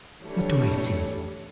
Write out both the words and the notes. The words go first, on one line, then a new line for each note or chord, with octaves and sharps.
"What do I see?"
E3 G3 A3 D4 C#5